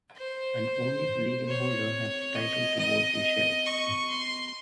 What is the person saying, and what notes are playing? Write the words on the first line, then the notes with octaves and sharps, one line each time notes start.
And only the legal holder has title to vote the shares.
C5
C#5
D#5
D#5
C#6
C6